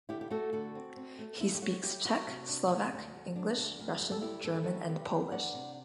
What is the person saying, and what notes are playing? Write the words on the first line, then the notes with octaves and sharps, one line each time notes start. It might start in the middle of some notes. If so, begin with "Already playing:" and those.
He speaks Czech, Slovak, English, Russian, German and Polish.
D3 E4 G4
G4
A3 F#4 A4
D3 F#4 A4
C4
C4
A3
D3 E4
G4
F#3 F#4
F#3 E4 G4
F#3 F#4
C3
D4
D2
D2
D2
D4
D2
D2
G3 G4
A4
D2 E4 G4
G3 A4
B4
G3 F#4 A4
C3 G4 B4
D2
D4 D5 F#5
C3